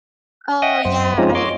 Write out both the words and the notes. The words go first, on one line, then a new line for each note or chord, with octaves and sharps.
Oh, yeah, I
D#5 E5 F#5 G5 D#6
F#2 C5
F3 G#3 C4 C#4 D#4 F4
C#5 D#5 C6 D6